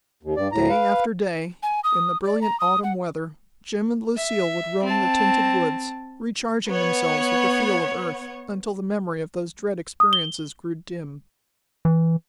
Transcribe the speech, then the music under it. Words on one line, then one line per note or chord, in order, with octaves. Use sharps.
Day after day, in the brilliant autumn weather, Jim and Lucille would roam the tinted woods, recharging themselves with the feel of Earth, until the memory of those dread experiences grew dim.
D#2
G2 D5
D2 A2 A#5
B4 F5
G#5
D#6
D5
A#5
D#6
F#5
E5
C4 A5
B3 C#5
D#6
G7
E3